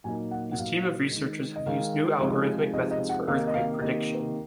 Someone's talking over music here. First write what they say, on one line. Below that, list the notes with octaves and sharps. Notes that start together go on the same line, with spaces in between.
His team of researchers have used new algorithmic methods for earthquake prediction.
A#2 F#3 A#3 D#4 G#5
F#5
F#5
A#2 F#3 A#3 D#4 F5
D#3 G#3 D#4
D#5
D#3 G#3 D#4 F5
C3 F3 G#3 D#4
C3 F3 G#3 D#4 D#5
D#5
F#5
C3 D#3 A#3 D#4 F5
D#5
F5
C3 D#3 A#3 D#4 D#5